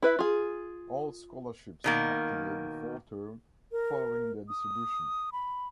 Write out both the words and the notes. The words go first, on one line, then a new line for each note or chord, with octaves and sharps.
All scholarships activate the fall term following their distribution.
E4 B4 E5
F4 G#4
B2 D#3 A#3
A#4
D#6
B5